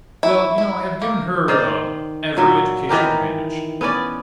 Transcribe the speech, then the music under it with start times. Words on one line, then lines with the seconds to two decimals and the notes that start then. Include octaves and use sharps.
Well, you know I have given her--ah--every educational advantage.
0.23 E4
0.58 E4
1.02 A#3
1.48 D#3 C5 D5
2.37 A#2 F#3 E5
2.89 D#3 E3 G4 A#4
3.81 B3 C#4 D5